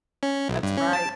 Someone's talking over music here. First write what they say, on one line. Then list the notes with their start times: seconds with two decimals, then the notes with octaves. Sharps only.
That's right.
0.23 C#4
0.49 B1
0.63 G2
0.77 C#4
0.93 A5